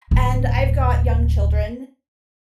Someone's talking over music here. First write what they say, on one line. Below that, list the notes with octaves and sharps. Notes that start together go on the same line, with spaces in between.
And I've got young children,
D1 F2